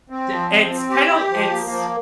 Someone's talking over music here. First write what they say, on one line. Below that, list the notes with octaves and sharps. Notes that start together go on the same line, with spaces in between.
d it's kinda, l it's
C4
F3
C4
C4
G4
G4
F3
A#3
F3